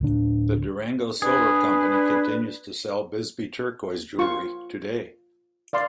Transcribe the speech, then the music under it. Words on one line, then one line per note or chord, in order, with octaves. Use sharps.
The Durango Silver Company continues to sell Bisbee turquoise jewelry today.
D1 D3 D4
D4 G#4 B4
F4 C#6
D5 F5 C6